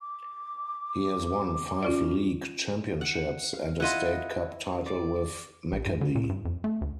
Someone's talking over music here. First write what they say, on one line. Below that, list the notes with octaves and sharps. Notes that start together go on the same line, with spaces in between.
He has won five league championships and a State Cup title with Maccabi.
D6
C#4 F4 D5
F#5
F5
E4 F4 D#5 F#5
D5
A#1
G2
D3
A#2
G2
F2
A3
D2